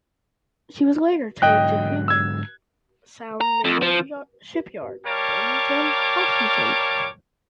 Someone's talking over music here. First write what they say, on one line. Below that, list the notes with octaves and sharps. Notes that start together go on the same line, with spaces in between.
She was later towed to Puget Sound Naval Shipyard, Bremerton, Washington.
G#2 D3 F#3 D#5 G5 F#6
E6 G#6
A#5
F2
F3
G3 A#4 C#5 F5 A5 D6